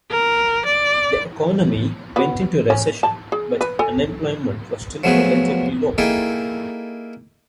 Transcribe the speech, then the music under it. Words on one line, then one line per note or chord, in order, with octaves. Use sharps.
The economy went into recession, but unemployment was still relatively low.
A#4
D5
B3 F#4
C#4
A5
G#4
B4
A4 G#5
F3 F#3 A3 B3 G#4 B4
A#3 D#4 E4 G#4 A4 G5